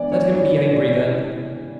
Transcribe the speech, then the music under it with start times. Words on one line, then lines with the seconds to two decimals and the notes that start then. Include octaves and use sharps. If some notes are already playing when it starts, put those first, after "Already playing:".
Let him be angry then.
Already playing: E3 B3 D5
0.12 C#5
0.35 C#5